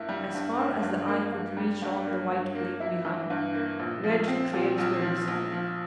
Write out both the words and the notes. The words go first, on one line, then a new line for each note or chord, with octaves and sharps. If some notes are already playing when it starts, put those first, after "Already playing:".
As far as the eye could reach on the white plain behind, red trails were visible.
Already playing: G2 A#3 E4
G3
G2
A#3
G2
A#3
G2
G3
G2
A#3
G2
A#3
E4
E3
G2
A#3
A#1
F3
C4
A#2
A#1
F3
A#1
F3